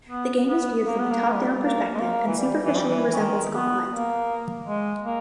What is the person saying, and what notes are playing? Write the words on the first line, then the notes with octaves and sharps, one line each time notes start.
The game is viewed from top-down perspective and superficially resembles "Gauntlet".
B3
B3
A#3
B3
A#3
G#3
G3
A#3
G#3
A#3
E3
G3
E3
G3
E3
E3
D#3
B3
A#3
G#3
A#3